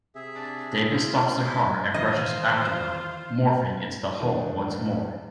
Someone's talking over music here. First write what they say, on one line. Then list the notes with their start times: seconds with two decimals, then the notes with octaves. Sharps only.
David stops the car and rushes after her, morphing into the Hulk once more.
0.15 C3 G#4 E5
0.35 D4
0.70 D4
0.91 A2 F4
1.13 C#4
1.43 E4 D#5 C6 D6
1.94 D#3 E3 F4 C5 D#5
4.19 E2 D#3 A3 D4